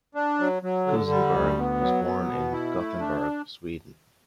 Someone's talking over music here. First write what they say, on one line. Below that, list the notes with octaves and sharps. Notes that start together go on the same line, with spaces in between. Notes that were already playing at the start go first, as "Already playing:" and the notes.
Kusenberg was born in Gothenburg, Sweden.
D4
F#3
F#3
D3
G3
D2
B3
F#3
B3
B2
E4
A3
D4